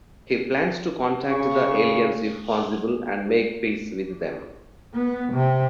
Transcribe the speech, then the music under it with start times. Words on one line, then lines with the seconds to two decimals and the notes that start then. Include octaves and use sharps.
He plans to contact the aliens if possible and make peace with them.
1.31 C#3 C#6
4.94 B3
5.33 C3